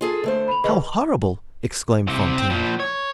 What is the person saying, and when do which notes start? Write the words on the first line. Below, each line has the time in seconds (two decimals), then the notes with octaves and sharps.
"How horrible!" exclaimed Fantine.
0.01 F4 G#4 A4
0.24 D3 A3 C5
0.48 B5 F7
0.64 D#3 G#4 B4 D#5
2.07 C2 C3
2.38 C4
2.50 A#2 F3
2.80 C#5